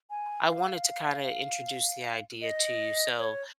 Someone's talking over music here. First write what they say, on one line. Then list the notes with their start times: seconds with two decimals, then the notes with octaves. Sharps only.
I wanted to kinda introduce the idea to you, so,
0.10 G#5
0.49 F5
2.42 D#5
3.19 C#5